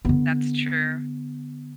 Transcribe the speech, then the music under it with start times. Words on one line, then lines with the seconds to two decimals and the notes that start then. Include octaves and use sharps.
That's true.
0.05 D3 B3